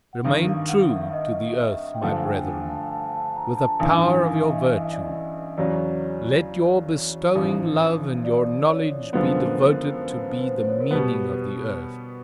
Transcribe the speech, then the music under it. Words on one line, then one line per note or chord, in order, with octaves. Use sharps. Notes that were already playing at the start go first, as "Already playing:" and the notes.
Remain true to the earth, my brethren, with the power of your virtue! Let your bestowing love and your knowledge be devoted to be the meaning of the earth!
F#5
G#1 G2 D#3 F5
F5
F5
F#5
E5
D#5
E5
G5
G2 D3 F3 A3 F#5
G#5
G5
G#5
A5
G#5
A5
A5
A#5
A5
A1 G2 E3 G#5
F5
E5
D#5
E5
E5
D#5
D5
D#5
E2 C#3 F#3 D5
A1 G#2 F3
D5
C#5
F#2 D3 F3 G#3 B3 C5
A#4
B4
A#4
C5
B4
B4
C5
B4
C5
C5
C#5
A#4
B2 G3 B3 B4